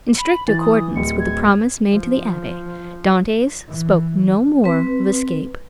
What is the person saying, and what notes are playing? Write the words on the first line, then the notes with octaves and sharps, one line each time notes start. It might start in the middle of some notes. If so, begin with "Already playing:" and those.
In strict accordance with the promise made to the abbe, Dantes spoke no more of escape.
B5
E3 A6
D#6
D1 C#7
G#6
F3
E3
C4 B4